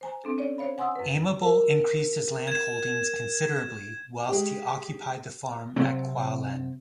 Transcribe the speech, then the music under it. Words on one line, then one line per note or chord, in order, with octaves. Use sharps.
Aimable increased his land holdings considerably whilst he occupied the farm at Qualen.
C5 G#5 A#5
C4 D4 A4
C#4 C#5 D5
C5 C#5 F5 B5
F#5 G#5 C6 D#6 E6
F#2 B4
A#4
G#6 E7
G#3 G4
C3 F#3 C4